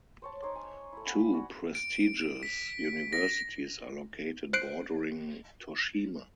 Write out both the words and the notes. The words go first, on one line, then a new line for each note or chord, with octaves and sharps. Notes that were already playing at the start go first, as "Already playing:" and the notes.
Two prestigious universities are located bordering Toshima.
C5 C#5 A5
D#4 C5 C#5 D6
G#5
A3 E4
F5 F#5 G#5 B5
F#4 D5 F#5
D7
B6
A#6
C5 F#6 C7 D7